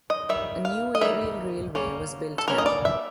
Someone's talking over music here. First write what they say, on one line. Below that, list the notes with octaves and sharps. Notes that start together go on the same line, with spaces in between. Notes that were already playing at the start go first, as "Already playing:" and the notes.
A new aerial railway was built here.
D#5
D#3 G3 E5
F5
D#5
D#3 G3 A#3 E5
G3 A#3 C#4
A4
G3 A#3 C#4 A#4
D#5
D5
E5